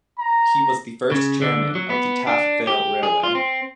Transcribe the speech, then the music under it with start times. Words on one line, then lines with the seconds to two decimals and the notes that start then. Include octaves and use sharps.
He was the first chairman of the Taff Vale Railway.
0.19 A#5
1.12 C#3
1.42 D3
1.75 F#3
1.90 B3
2.27 D4
2.67 G4
3.03 G#4
3.23 F4
3.35 C4